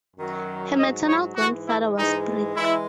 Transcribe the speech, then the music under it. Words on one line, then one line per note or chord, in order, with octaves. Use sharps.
Her maternal grandfather was Brig.
F#2 D#3 F#3
G#2 F#3 D#5
C#5
G#2 E3 G#3 F#4
E4
G#2 E3 G#3 D#4
E3 G#3 E4